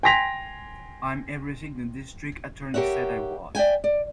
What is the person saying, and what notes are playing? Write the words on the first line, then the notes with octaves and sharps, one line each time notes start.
I'm everything the District Attorney said I was.
G5 G#5 C6 A#6 B6 F7
G4 A#4 C#5 E5 F#5
D5 E5 G5 G#5
D5